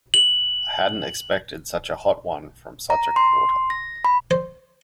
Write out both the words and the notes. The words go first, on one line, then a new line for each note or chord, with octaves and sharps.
I hadn't expected such a hot one from such a quarter.
F#7
A#5
C6
A#6
B5
C5